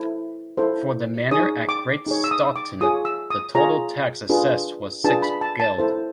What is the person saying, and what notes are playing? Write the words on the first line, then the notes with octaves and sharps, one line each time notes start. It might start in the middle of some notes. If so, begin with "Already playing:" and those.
For the manor at Great Staughton the total tax assessed was six geld.
Already playing: E4 A4 C5
E4 A4 C5
D#4 G#4 C#5 D#6
D6
D#4 G#4 C#5
E6
D#6
D6
F4 G#4 C#5 D#6
E6
D#6
F4 G#4 C#5 A#5
D4 F4 G#4 B4
D4 F4 G#4 B4 A5
B5
A5
A5
E4 A4 C5